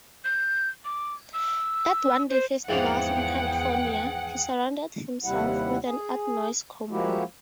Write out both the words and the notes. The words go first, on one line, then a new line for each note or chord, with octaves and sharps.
At one-day festivals in California, he surrounded himself with an artnoise combo.
G6
D6
E6
C5
E2 G#2 E3 F3 G#4 F#5 G5
D#2 C3 G3 E4 F#5
G#4
F3 G#3 A#3 E4 F#4 G4